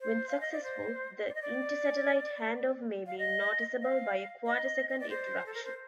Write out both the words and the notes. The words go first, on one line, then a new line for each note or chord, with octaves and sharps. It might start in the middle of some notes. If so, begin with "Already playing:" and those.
When successful, the inter-satellite handoff may be noticeable by a quarter-second interruption.
C5
F5
D#5
D5
C5
D5
D#5
D5
F5
D#5
F5
D#5
D#5
D5
C5
A4
A#4
C5